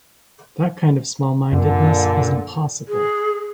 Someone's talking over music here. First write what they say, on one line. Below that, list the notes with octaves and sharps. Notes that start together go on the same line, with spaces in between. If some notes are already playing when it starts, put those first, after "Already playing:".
That kind of small-mindedness is impossible.
F#2 A#2 D3
G#4